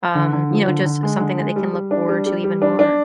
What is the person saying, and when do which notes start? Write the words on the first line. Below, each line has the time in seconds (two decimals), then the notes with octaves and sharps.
um, you know, just something that they can look forward to even more.
0.15 D3
0.33 D3
0.51 F3
0.68 D3
0.85 D3
1.03 G#3
1.20 D3
1.38 G#3
1.56 G3
1.73 G3
1.91 D4
2.09 G3
2.26 G3
2.44 G3
2.62 D4
2.79 D4